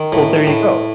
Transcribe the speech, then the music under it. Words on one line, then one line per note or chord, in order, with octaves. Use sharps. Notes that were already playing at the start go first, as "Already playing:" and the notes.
Well, there you go.
Already playing: D#3
A2
A2